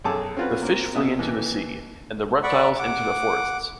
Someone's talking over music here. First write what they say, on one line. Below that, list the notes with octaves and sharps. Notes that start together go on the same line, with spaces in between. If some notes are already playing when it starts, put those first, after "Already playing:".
The fish flee into the sea, and the reptiles into the forests.
B1 F#2 G#4 A5 D6 E6
C4 C#4 F4 F#4 B4
A#3 C4
B2 E5 D#6
D#2 E3
D5 F#5 B5 C#6
F#5 D6